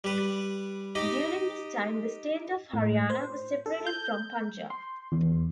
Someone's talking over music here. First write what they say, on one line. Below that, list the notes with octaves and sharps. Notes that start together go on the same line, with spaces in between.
During this time, the state of Haryana was separated from Punjab.
G3 B4
D#4 G4 D#5
A2
C5
A4
G6
C6
E2